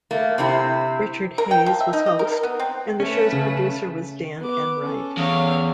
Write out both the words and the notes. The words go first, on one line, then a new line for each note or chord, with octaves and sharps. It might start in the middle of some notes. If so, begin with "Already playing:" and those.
Richard Hayes was host, and the show's producer was Dan Enright.
A3 A#3
C3 C4 E4
A#4
G5
F3
E5
D#4
D#5
A#4
A#4
B3
C4
A3 C#4 B4
C#3
B3 D6
C#4 A4
E2 C#5 F5